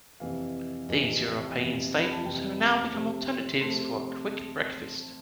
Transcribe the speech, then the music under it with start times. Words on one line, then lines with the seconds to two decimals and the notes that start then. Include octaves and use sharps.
These European staples have now become alternatives for a quick breakfast.
0.20 F2 C3 E3 F5
0.88 F2 C3 E3
1.57 F2 C3 E3
2.00 B5
2.12 A5
2.25 F2 C3 E3 G5
2.93 C3 F3 A3
3.27 C6
3.61 C3 F3 A3 C6